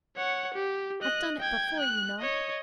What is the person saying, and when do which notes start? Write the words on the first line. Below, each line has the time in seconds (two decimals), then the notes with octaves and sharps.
I've done it before, you know.
0.16 C#5 F#5
0.54 G4
1.02 D#5 F#6
1.40 G5 G#6
1.80 F#6
2.19 C#5 D#5